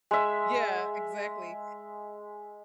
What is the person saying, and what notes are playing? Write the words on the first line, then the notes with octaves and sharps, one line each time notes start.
Yeah, exactly,
G#3 E5